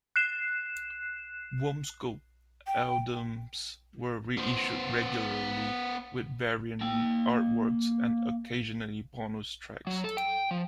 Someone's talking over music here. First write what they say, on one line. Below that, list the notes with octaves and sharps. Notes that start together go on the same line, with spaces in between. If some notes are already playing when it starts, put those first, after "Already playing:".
Wumpscut albums were reissued regularly with variant artworks and occasionally bonus tracks.
F#6 C7 E7
G5
B3 C5
A#3 G5
F#3
A4
G5
F3